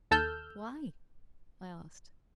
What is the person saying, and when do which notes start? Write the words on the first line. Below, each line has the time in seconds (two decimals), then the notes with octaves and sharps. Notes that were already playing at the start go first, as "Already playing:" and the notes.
"Why?" I asked.
0.11 D#2 A4 A5 E6 F6 G6